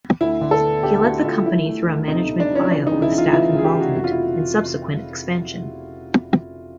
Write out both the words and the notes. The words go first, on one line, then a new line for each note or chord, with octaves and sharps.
He led the company through a management buyout with staff involvement, and subsequent expansion.
D2 E4
D3
A4
B3
D2 G4
D2 F#4
D2 F4
A3 E4
A3
D2
C3 D#4
C3
D4
F3
C#4
E3 D4
D#4
C#2
E4
C#2
F4
E3 E4
C#2 G#4
G4
C#2
F#4
F1 F#4
F4
E4